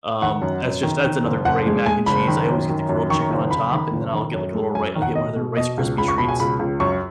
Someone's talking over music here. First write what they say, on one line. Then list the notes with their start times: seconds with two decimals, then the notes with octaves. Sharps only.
Um, that's just that's another great mac and cheese, I always get the grilled chicken on top, and then I'll get like a little ri I'll get one of their Rice Krispie treats,
0.22 D#3 F#5
0.42 F#2
0.63 F#2
0.83 D#3
1.04 D#3
1.24 F#1
1.45 F#1 F#5
1.66 G#3
1.86 G#3 G#5
2.06 F#1 B5
2.28 D#3
2.48 F#2
2.69 D#3
2.89 F#2
3.10 D#3 C#6
3.31 F#1
3.51 F#1 B5
3.71 D#3
3.93 F#1
4.13 D#3
4.34 F#2
4.55 G#3
4.74 F#2 G#5
4.95 D#3
5.02 F#5
5.15 B2 D#5
5.36 B2
5.57 B2 D#5
5.77 C#2
5.98 C#2 B5
6.08 C#6
6.18 B2 B5
6.28 G#5
6.39 C#2 B5
6.59 C#2
6.80 F#2 C#6